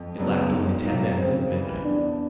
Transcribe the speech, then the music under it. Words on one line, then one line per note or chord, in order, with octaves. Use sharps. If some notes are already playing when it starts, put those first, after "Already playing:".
It lacked only ten minutes of midnight.
Already playing: F2
C#3 F#3 B3 D4
G#2
D#3 F#3 A#3 D#4
C#3 C4
E3 G3
E2 D4